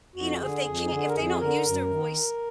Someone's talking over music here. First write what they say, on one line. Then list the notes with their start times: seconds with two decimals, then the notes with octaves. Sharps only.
you know, if they can't if they don't use their voice
0.15 F2 F#4
0.41 D3 G#4
0.66 F2
0.91 D3
1.08 A#4
1.15 F2 G#4
1.40 D3 A#4
1.66 F#2
1.90 D#3